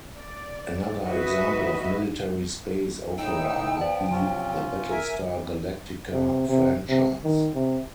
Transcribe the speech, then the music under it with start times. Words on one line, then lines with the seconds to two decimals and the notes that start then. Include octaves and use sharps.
Another example of military space opera would be the Battlestar Galactica franchise.
0.17 D5
1.05 F#4 B4 D#5 E5
3.18 A2 D#4 G5 E6
3.77 F3 B3 D5 A5
4.11 C3 F3 F#3 C#4 F4
4.90 A#4 E5 G#5
6.13 C3
6.49 C3
6.89 C3
7.24 D#3
7.54 C3